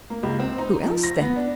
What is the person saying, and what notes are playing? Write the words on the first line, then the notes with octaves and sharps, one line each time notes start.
"Who else, then?"
A#3
C#2
C4
D#4
F3
A#6
B3
D4